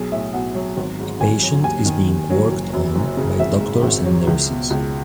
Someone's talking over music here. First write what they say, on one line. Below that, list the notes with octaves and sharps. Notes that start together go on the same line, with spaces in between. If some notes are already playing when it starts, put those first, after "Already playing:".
A patient is being worked on by doctors and nurses.
Already playing: B1 F#3 G#4
A2 E5
B1 F#5
F#3
G#1
G#2
G#1 G#5
F#3
D#2 G#5
D#3
D#2
F#3
F#1
F#2
F#1
C#3
G#1 E5
G#2
G#1
F#3
C#2
B2
C#2